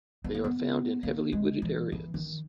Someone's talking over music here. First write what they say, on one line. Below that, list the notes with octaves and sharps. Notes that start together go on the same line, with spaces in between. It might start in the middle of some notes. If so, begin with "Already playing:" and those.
They are found in heavily wooded areas.
B3
A#3
B3
A#3
G#3
E3
E3
D#3